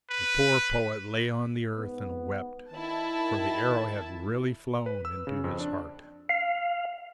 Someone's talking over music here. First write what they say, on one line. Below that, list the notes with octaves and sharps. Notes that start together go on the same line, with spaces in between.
The poor poet lay on the earth and wept, for the arrow had really flown into his heart.
B4
G#2 B3
D#3 E4 A5
B4
E6
C#3
F2
D4
F5